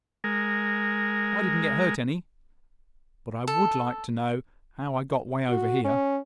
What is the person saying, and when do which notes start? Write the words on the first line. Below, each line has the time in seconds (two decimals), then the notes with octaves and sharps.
"I didn't get hurt any; but I would like to know how I got 'way over here."
0.24 G#3 A#4
3.47 A4
5.49 F#4
5.84 C#4